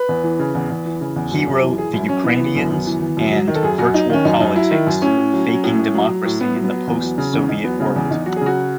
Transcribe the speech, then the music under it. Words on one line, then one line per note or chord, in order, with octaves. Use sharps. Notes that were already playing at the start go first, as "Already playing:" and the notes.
He wrote "The Ukrainians" and "Virtual Politics: Faking Democracy in the Post-Soviet World".
Already playing: B4
E2
E3
C#3
E2
E2
E3
C#3
E2
F#2
F#2
E3
E3 G#4
F#2 E4
F#2 C#4
E3 B3
E3
F#2
F#2
E3
E3
F#2
F#3
D#3
A4
F#2 G#4
F#2 F#4
F#3 D#4
D#3 C#4
F#2 D#4
F#2 D#4
F#3 E4
D#3
F#2
A2 C#4
A2
F#3
F#3
A2
A2
F#3
F#3
A2
A2 B3
F#3
B3
F#3
E2
F#3
C#3
E2 C#4
E2 D#4
F#3 B3
C#3 B3
E2
E2 D#4
F#3 F#4
G#4
C#3 F#4